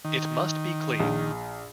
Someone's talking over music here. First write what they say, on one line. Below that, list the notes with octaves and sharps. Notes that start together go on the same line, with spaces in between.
It must be clean!
D#3
A#1